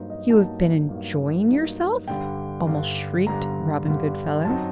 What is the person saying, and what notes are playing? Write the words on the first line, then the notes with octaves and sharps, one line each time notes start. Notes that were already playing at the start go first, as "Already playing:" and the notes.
"You have been enjoying yourself?" almost shrieked Robin Goodfellow.
Already playing: G2 F#3 A#3 D#4 C5
D#5
G2 F#3 A#3 D#4 A5
G2 F#3 A#3 D#4
G2 F#3 A#3 D#4
G2 D3 G3 G5
G2 D3 G3
G2 D3 G3 A#5
G2 D3 G3
F#2 F#3 C4 D#4 A5